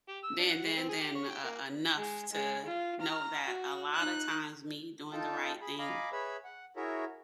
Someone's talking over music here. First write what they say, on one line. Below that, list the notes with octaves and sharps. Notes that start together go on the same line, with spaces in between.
than than than, uh, enough to know that a lot of times me doing the right thing
G4
E6
D4
F#5
G#3
C4
G#4
G4
C#5
G5
A#3
G#3
G#3
F4
A#5 F6
F#4
D#4 F#6
D#4 F4 A4 G5 A5
G#4 B5
D#5 F5 G#5 A#5 B5 D6
G#4 B4 C#5 E5 B5 E6
F#5
E4 F#4 G#4 A#4 C#5 E5